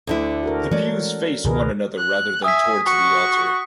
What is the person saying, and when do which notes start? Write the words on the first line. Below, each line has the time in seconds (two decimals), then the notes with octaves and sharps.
The pews face one another rather than towards the altar.
0.07 D2 D3 E4
0.43 F#4 A4 A#4
0.71 E3 G#3 A3 C#4 D5
1.45 C#2 B2 D#3 G#4 A#4 B4
1.98 F#6
2.44 E5 G#5 D#6 B6
2.86 F#4 C#6